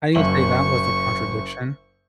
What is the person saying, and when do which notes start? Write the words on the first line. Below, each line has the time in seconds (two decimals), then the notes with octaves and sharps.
I didn't say that was the contradiction.
0.15 F#1 E5 C#6 F#7